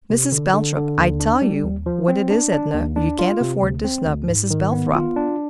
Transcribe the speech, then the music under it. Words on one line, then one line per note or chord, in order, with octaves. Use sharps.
'Mrs. Belthrop.' I tell you what it is, Edna; you can't afford to snub Mrs. Belthrop.
C3
D3
D3
D3
D#2
D4
G3
D#2
F3
C4
D4
D4
D#2
D4
F4
C3
D2
C4
D2
G#2
D#3
B3
F4
D4